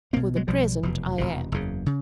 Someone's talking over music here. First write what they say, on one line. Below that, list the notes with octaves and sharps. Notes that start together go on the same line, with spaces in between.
"For the present I am."
B1 B2 A#3 C4
F#3 G#3
B1 B2 F3 G3
F1 E2 B2
F1 E2 B2
F#1 E2 C#3
C#3